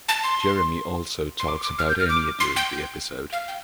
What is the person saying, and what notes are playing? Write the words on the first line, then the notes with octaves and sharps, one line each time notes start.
Jeremy also talks about Enya during the episode.
A5
C6
C6
D6
D6
F6
G6
F6
D6
C6
G5
F5
G5